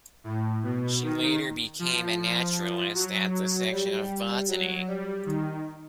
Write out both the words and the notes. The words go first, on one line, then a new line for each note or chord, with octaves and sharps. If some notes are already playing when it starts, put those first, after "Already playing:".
She later became a naturalist at the Section of Botany.
A2
B2
D#3
F3
F#3
G3
F#3
G3
D#3